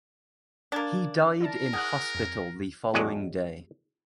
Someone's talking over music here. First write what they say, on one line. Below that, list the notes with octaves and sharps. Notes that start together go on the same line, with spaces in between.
He died in hospital the following day.
A#3 D4 G#6 A6
E4 A#4 D5 A5
G#4 F#5 F6 F#6
F2
E2 G2 F#3 G#3 D5 D#5